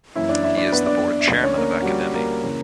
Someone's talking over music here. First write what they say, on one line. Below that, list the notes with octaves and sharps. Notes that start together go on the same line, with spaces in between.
He is the board chairman of Academi.
F#2 E3 A#3 C#4 E4 E5
D4 D5
E4 E5
D4 D5
B3 B4
D4 D5
E5
D2 D3 A#3 D4 D5
C#4 C#5
A#3 A#4
F#4
G3 G4
A#3 A#4
C#3 E3 A#3 C#4